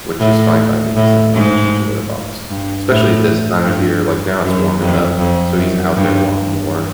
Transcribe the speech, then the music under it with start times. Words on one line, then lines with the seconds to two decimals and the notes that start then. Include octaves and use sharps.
Which is fine by me 'cause I don't have to change a litter box. Especially this time of year, like, now it's warming up, so he's out there a lot more.
0.19 A2
0.96 A2
1.34 G#2
2.50 G2
2.88 A2
3.65 G2
4.42 F#2
4.80 F2
5.19 F2
5.58 F#2
5.96 G2